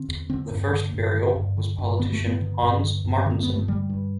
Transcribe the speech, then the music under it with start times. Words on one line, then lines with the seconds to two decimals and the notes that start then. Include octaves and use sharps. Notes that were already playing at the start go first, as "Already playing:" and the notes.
The first burial was politician Hans Martinson.
Already playing: D3 C4
0.08 E2
0.30 D3 C4
0.51 G2
0.72 D3
0.94 G2
1.14 D3
1.36 G2
1.57 D3
1.78 G2
1.99 D3 B3
2.12 A3
2.20 G2
2.27 B3
2.41 D3
2.63 G2
2.84 D3
3.05 G2
3.26 D3 C4
3.43 G2 B3
3.56 A3
3.68 D3 G3
3.90 G2